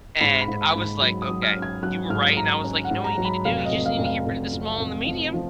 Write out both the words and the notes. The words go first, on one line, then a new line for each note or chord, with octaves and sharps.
and I was, like, "Okay, you were right." And I was, like, "You know what you need to do? You just need to get rid of the small and the medium.
G#2 B5
B5
G#2
B5
G#2
B5
F#3 B5
D#6
F#3
F6
C#4
G#6
F#3 F#6
G#2 F6
G#2 A#5
C#4
F#5
G#2
A#5
F#3
B5
F1 F5
D#5
F1
F5
F1
F5
F1
F2
F1
F3
F3